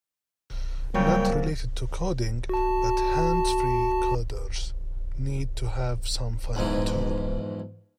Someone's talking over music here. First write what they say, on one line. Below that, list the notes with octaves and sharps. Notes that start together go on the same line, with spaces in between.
Not related to coding, but hands-free coders need to have some fun too.
F2 C#3 F#3 G3 A#3 A#4 C#5 G5
F#4 A5
B1 F2 G#2 E3